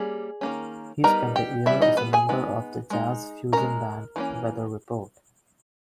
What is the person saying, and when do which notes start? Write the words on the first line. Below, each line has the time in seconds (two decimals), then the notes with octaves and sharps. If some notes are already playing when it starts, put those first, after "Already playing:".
He spent a year as a member of the jazz fusion band, Weather Report.
Already playing: G3 A#3 C#4 G#4
0.41 D#3 A#3 C#4
1.04 G3 B3 D#4 A#4 A#5
1.36 G4 G5
1.66 E3 G3 B3 E4 E5
1.81 D#4 D#5
1.97 B3 B4
2.13 G#4 G#5
2.29 G#3 B3 D#4
2.90 G#3 D#4
3.53 G#3 C#4 A#4 A#5
4.16 E3 A#3 C#4